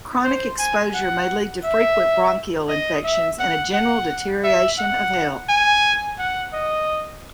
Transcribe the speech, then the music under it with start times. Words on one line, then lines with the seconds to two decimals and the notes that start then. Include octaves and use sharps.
Chronic exposure may lead to frequent bronchial infections and a general deterioration of health.
0.24 C5
0.59 G#5
0.94 F#5
1.64 E5
2.69 D#5
3.04 E5
3.39 F#5
3.73 F#5
4.44 E5
4.78 F#5
5.49 G#5
6.18 F#5
6.53 D#5